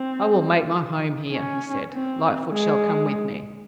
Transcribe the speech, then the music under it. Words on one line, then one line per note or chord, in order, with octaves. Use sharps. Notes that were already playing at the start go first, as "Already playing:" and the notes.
"I will make my home here," he said. "Lightfoot shall come with me."
Already playing: C4
C#4
C4
G#3